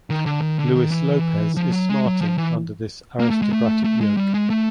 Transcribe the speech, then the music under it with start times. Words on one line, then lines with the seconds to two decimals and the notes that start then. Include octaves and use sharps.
Luis Lopez is smarting under this aristocratic yoke.
0.10 D#3
0.26 D3
0.41 D#3
0.59 D3
0.75 D#3
0.91 E3
1.57 F3
1.72 F#3
1.89 G#3
2.06 F#3
2.21 F3
2.38 E3
3.20 A#3
3.30 A3
3.42 G#3
3.53 A3
3.84 A3
4.01 G#3
4.17 G3
4.34 G#3
4.50 A3